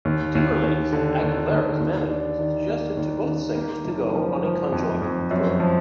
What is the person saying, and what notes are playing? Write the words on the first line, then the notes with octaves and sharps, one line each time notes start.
Timberlake's and Aguilera's managers suggested to both singers to go on a conjoint tour.
D#2
D#2
D#2
D3
D#2
D#2
D#2
D4
D#3
A#3
D#2
D#3
A#3
F#1
F3
F3
F2
F2
F#2
F3